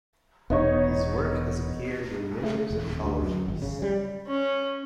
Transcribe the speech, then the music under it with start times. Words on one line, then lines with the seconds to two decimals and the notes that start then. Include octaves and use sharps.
His work has appeared in numerous anthologies.
0.50 E1 B3 D#4 C#5
2.44 A3
2.70 E1
2.88 D#1
3.03 D2
3.22 F#2
3.48 G#1
3.62 C#3
3.82 G3
4.27 C#4